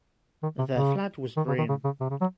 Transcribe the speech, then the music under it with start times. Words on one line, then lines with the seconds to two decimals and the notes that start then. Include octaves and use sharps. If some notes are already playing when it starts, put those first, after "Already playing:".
Their flag was green.
0.43 D#3
0.58 C3
0.74 C#3
1.37 D#3
1.47 C#3
1.58 D#3
1.69 C#3
1.84 C#3
2.00 C3
2.10 C#3
2.21 F#3